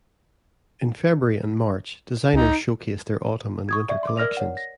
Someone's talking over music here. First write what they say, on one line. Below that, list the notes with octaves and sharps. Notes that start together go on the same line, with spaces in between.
In February and March, designers showcased their autumn and winter collections.
C#2 D#4
C#6 D#6 G#6
D5 E5 C#6
C6 D6
A#4 D5 F6 A#6 F7
C#5 F#5
A#6